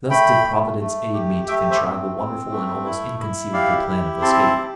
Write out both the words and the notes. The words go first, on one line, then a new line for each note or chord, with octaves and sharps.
Thus did Providence aid me to contrive a wonderful and almost inconceivable plan of escape.
A3 G5 B5
A3
A3
G4
A3 E5 G5
C5 E5
C4
C4
A3
E4
E4
G4 D5 F5
E4
C4 A5 C6
G4